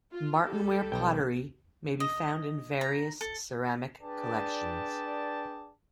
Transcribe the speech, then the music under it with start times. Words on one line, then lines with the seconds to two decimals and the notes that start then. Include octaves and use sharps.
Martinware pottery may be found in various ceramic collections.
0.13 F4
0.43 G3 G4 A4
0.92 B1 G5
2.00 D#5
2.81 A#5
3.21 A4
4.01 D4 G#4 B4 D5 G5 A5